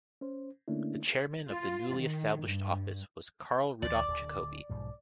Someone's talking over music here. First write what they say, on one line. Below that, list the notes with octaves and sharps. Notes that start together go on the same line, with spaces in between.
The Chairman of the newly established office was Karl Rudolf Jacobi.
C#4 C5
D3 A3 A#3 C#4 D4 E4
F4
D#3
G2
D2 E3 F3 D5
D1 D2
B1 G#2 F3